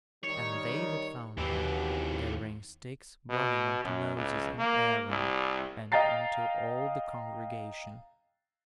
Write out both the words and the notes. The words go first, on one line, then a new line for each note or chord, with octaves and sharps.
And they that found him gathering sticks brought him unto Moses and Aaron, and unto all the congregation.
D#3 G3 C#5
D#2 B2 E3 C4 G4
B2
F#2
C#2
A#3
C2
D#5 F5 G5 A#5 A6 C7